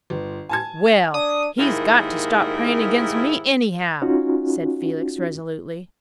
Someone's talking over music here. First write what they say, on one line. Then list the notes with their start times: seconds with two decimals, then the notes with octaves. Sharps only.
"Well, he's got to stop praying against me, anyhow," said Felix resolutely.
0.10 G1
0.49 G#5 A5 G#6
1.14 D4 D#6
1.58 D#2 G#2 E4 A#4
4.02 C#4 D#4 F4 F#4